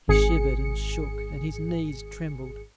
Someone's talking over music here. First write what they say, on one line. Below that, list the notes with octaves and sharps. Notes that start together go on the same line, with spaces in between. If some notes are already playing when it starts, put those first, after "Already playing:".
He shivered and shook, and his knees trembled.
G#1 G#4 C#7